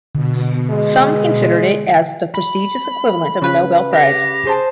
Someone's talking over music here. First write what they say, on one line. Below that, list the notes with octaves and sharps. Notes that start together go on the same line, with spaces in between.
Some considered it as "the prestigious equivalent of a Nobel Prize".
B2 D3
G#3
B5
C#3 B4
G4 A#6
G#4 C5 A5